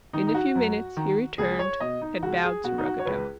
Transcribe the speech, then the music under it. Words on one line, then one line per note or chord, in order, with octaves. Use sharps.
In a few minutes he returned and bowed to Ruggedo.
D#3 D#4
D#4
F#4
F#2
D#3
C#2 G#4
C#5
B2 D#5
D#4
C#2 F#4
G#4
B2 F#4
D#4
F#4
C#5
C#2 B4